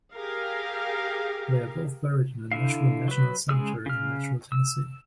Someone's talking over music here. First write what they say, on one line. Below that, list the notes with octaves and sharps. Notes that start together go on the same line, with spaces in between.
They are both buried in the Nashville National Cemetery in Nashville, Tennessee.
G4 G#4 A#4 F5
D3 E4 F5
F#3 B4
C#3 G#3 C#4 G#4 E6
C#3 F6
E6